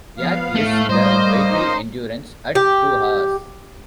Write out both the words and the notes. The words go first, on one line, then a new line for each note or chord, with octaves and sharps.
Yak lists the vehicle endurance at two hours.
F3 B3 F5
A2 A3
G3 A#3 C5 D#5
C#4 D#4
G4